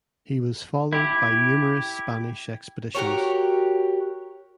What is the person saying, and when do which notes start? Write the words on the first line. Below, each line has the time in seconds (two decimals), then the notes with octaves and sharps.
He was followed by numerous Spanish expeditions.
0.93 E4 G4
2.95 F#4 G4 A#4 C#5